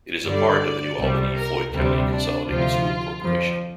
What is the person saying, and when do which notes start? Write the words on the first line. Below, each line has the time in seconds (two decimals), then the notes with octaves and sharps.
It is a part of the New Albany-Floyd County Consolidated School Corporation.
0.25 G2 D3 G3 D5
0.99 C2 C3 G3
1.36 A#4
1.73 D2 C3 G3 C4
2.11 D4
2.48 D2 C3 F3 F4
3.22 F2 F3